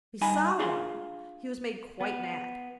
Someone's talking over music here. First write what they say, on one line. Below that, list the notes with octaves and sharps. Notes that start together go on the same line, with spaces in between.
If he saw one he was made quite mad.
G2 D#4 D#5 G#5 B5
D4 F4 G#4 F5 C6
B3